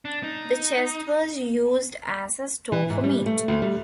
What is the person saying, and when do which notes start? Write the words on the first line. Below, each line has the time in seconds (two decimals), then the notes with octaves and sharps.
The chest was used as a store for meat.
0.05 D4
0.23 D#4
2.72 E3
2.90 G#2
3.04 G3
3.26 A3
3.48 D2
3.62 G3